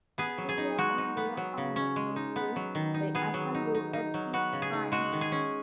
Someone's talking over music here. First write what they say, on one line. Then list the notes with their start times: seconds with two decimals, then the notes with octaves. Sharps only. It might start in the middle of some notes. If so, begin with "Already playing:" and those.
Every year on their founder's birthday they assemble at his shrine.
0.18 B3 G#4
0.38 F#3
0.49 G#4
0.58 D#4
0.78 G#3 F#4
0.98 D#4
1.17 B3
1.37 F#3
1.58 C#3
1.76 C#4
1.96 G#3
2.16 D#4
2.36 B3
2.56 F#3
2.75 D#3
2.94 D#4
3.15 B3 G#4
3.34 F#3
3.55 D#4
3.75 D#4
3.93 D#4
4.14 F#3
4.33 B3 F#4
4.53 C#3
4.62 G#4
4.73 D#4
4.92 G#3 F#4
5.12 D#3
5.21 G#4
5.32 C#4